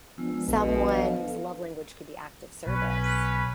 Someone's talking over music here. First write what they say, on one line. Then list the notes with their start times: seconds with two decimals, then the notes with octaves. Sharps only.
someone's love language could be act of service,
0.18 F3 G#3 B3 D4 F4 E6
0.48 A#1 B2 A4 B4
0.94 F5
2.67 B1 C#4 B4